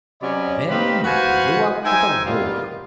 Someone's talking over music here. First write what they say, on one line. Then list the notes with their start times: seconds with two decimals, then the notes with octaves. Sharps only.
Then it blew up with a roar.
0.21 C3 F#3 C#4 D5 D#5 B5
0.69 C4 D#4 G4 B4 F5 B5
1.04 F#4 B4 C5 F5 F#5 G#5
1.84 D#4 C5 E5 G5 G#5
2.25 C3 D#3 G3 B3 F4